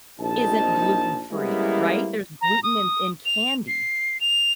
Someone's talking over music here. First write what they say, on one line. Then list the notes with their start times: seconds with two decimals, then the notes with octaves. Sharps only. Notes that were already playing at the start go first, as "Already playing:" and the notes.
isn't gluten free, right? There's gluten in in candy,
0.20 A#1 C3 D#4 A5
1.31 G3 G#3 A#3 B3 C#4 E4
2.41 A#5
2.63 D#6
3.26 F7
3.68 C7
4.21 F7